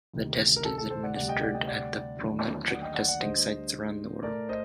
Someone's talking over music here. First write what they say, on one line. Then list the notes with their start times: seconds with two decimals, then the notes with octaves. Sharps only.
The test is administered at the Prometric testing sites around the world.
0.14 D2 C3 D#3
0.56 A#4
0.65 A4
0.78 A4
0.90 A4 C5
1.03 D5 F#5
1.16 D2 C3 G3 D5 F#5
1.28 D#5 G5
1.41 D5 F#5
1.54 D#5 G5
1.67 D5 F#5
2.18 D#2 D3 F#3 A3
2.69 D5 F#5
2.82 D#5 G5
2.94 D5 F#5
3.08 D5 F#5
3.20 D2 D3 G3 C5 D#5
4.23 A2 A3 A#4 D5
4.49 C5 D#5